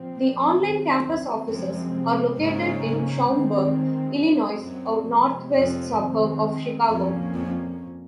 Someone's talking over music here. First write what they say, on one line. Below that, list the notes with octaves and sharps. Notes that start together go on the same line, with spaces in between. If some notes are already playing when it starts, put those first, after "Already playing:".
The online campus offices are located in Schaumburg, Illinois, a northwest suburb of Chicago.
Already playing: A#2 F3 C4
D#3 F#3 C4
F#2 C3 F3 G#3 C4
G#2 C#3 F#3 A#3 C#4
D#3 G#3 C4
F#2 A#2 F#3 C4
F#2
C3 F3 G#3 C4
F2
D#3 G#3 C4
F2 A#2 F3 A#3 C#4
F2